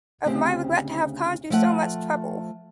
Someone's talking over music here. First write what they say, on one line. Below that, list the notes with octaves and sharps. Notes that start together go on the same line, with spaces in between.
Of my regret to have caused you so much trouble.
D2 C#3 C4 G4 C5
F3 A3 F#5